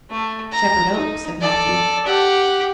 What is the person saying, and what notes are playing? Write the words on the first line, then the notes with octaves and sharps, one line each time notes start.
"Shepherd Oak," said Matthew.
A3
A#5
D#4
A4 D5
G4 F#5